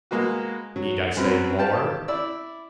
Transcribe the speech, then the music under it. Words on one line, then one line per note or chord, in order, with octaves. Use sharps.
Need I say more?
G#3 A#3 B3 F#4
F#3
F#2 F#3 C4 B4
G4 F5 G5 A5
E4 D5 E6